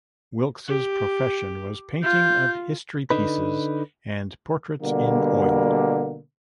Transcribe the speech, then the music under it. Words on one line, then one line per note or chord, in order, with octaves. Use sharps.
Wilkes' profession was 'painting of History Pieces and Portraits in Oyl'.
G4
F4 G6
D3 D#4 B4
B2 D3 G3 A#3